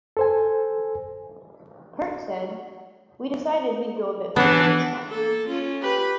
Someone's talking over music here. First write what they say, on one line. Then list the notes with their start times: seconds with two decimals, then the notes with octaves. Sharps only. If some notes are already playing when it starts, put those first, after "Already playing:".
Peart said, We decided we'd go a bit further this time.
0.17 A4 C5 G#5
4.36 E3 B3 D4 F#5
5.10 A#3 A4
5.48 C#4 F4
5.81 G4 B4